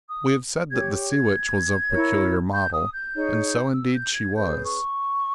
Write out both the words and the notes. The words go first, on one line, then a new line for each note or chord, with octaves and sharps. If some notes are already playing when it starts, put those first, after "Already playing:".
We have said that the "Sea Witch" was of peculiar model, and so indeed she was.
D#6
G4 C#5 G#6
G#6
E4 A#4 C#5
G6
D#6
G6
D#4 G#4 C#5
E6
G6
G#6
C#4 G#4 B4 G6
C#6